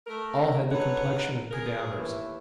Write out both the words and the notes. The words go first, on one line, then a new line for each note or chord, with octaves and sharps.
All had the complexion of cadavers.
A3 A#4
D#4 A4 B4 C#5 F#5
G#4 A#4
D#2 A2 E3